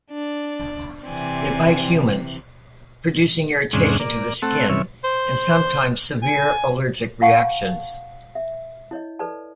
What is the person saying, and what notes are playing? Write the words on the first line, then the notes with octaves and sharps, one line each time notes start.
They bite humans, producing irritation to the skin and sometimes severe allergic reactions.
D4 D5
C3 E3 C4 D5 G#5
E2 G#2 C3 G#3 C#4 D4
A#3 D5
A3 C4 A4 F#5
C3 E3 C#4 C#5 E5
C5
G#5
F5 F#5 A5 B5 C#6
E5
E4 C#5 D#5
A4 B4 D5 A5